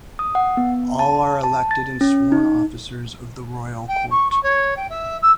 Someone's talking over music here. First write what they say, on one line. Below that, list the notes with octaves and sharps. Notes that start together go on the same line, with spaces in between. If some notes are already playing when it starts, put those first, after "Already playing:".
All are elected and sworn officers of the Royal Court.
D#6
F#5
B3
A5
A5
A6
C#4
D#4
G5
C#6
C#6
C#5
G5
E5
E6